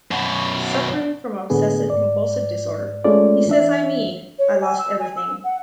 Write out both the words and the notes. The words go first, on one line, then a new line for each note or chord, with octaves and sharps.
Suffering from obsessive-compulsive disorder, he says I mean, I lost everything.
F#2 B2
A2 D3 B3 G#4
G#2 D5
G#3 A3 C#4 F4 D5
E3 D4 E5
C#5
G#5
E6
G#5
E6
F#5